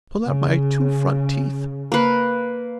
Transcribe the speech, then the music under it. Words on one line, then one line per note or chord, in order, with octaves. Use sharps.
Pull out my two front teeth!
C#3
A#3 B4